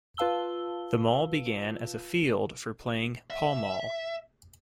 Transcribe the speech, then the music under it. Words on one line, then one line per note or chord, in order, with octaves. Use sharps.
The Mall began as a field for playing pall-mall.
F4 B4 F5 A5 E6 G7
E5